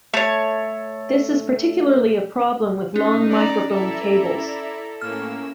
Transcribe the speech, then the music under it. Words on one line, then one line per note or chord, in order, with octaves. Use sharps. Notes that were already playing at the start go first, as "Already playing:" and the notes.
This is particularly a problem with long microphone cables.
A3 C#5
C#4 D#4
D5 A#5
E4 A4 D5 E5 A#5
A2 A#3 C#4 E6 F6